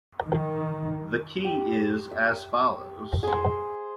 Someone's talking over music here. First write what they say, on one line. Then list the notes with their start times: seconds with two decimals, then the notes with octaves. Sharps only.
The key is as follows.
0.24 D#3
1.44 G4
2.11 E5
3.23 G#4 C5